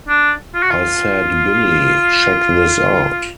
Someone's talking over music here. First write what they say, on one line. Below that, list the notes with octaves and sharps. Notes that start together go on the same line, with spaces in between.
I said, Billie, check this out.
D4
F4
F#4
F4